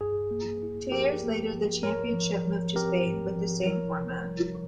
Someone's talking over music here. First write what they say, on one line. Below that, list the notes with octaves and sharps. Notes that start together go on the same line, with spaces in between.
Two years later, the championship moved to Spain, with the same format.
G2 G#4
A#3
E4
F3 G4 A#4
A#3
F3
G#2 A#4 C#5
F3
F3
C4 G4 A#4
G#2
F3
E4 A#4 C#5
C3
G3